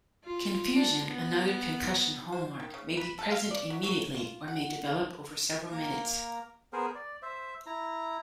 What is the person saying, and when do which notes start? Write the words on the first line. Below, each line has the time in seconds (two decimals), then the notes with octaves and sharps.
Confusion, another concussion hallmark, may be present immediately or may develop over several minutes.
0.24 F4
0.74 D4
1.07 B3
2.32 C5
2.60 D#3
2.74 C#3
2.97 B4
3.19 A4
3.31 F5
3.51 D5
3.70 F#3
3.83 F#3
4.15 F4
4.48 F#5
5.72 A#3 A#4 A#5
6.73 B3 G#4 A#4 C5
6.95 D5
7.22 C5 E5
7.66 E4 A#5